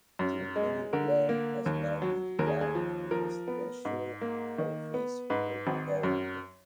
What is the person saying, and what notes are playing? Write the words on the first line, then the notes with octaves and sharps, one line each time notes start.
The remaining land has now been divided up for residential and office re-development.
F#2
G#3
D3 A#4
A#3
D#2
F#3
D#2 A#4
G#4
G#4
F3
F3 A#4
B3
G#2
A#3
D#3
B3
G#2 B4
G#1
F#2